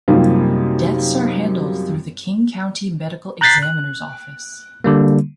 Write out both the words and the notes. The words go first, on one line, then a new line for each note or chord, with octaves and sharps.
Deaths are handled through the King County Medical Examiner's Office.
F#2 C3 G3 A#3 D#4 F4
A#5 F#6 G6 A6 B6 C7
F#6
D3 G3 A#3